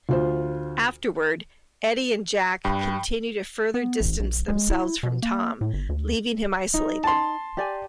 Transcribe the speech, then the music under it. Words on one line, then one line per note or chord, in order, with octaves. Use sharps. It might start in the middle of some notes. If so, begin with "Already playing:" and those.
Afterward, Edie and Jack continue to further distance themselves from Tom, leaving him isolated.
D2 F4 C5
G2 G5 B5
B3
A1
A#1
G#3
E4
B2
A#3
A2
G1
D2
D#4
A5 C6
G4 D5 G#5